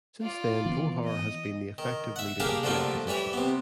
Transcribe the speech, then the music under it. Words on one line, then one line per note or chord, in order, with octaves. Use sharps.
Since then Vohor has been the effective leader of the opposition.
F4 D5
E3 B3
D#5
D#3
E5 F#5
G3 A#3 D4 G4 G#4 F5
D3 F3 G3 A3 A#3 D4
E3 G3 E4 C#5
C3 B3